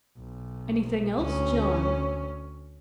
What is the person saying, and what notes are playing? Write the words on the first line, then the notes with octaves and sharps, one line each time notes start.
"Anything else, John?"
B1
D2 C#4